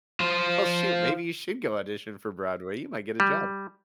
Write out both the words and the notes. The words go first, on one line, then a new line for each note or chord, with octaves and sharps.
Well, shoot maybe you should go audition for Broadway. You might get a job.
F4 C5
G3